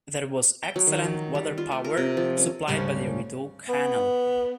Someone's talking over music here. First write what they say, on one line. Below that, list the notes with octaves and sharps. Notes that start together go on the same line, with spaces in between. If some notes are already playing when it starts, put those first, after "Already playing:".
There was excellent water-power supplied by the Rideau canal.
G5
F#3
D#3
F#3
G3
F4
A3
A#4
C3
F3
C#4
D2 G#2 C#3 G3 C#4
B3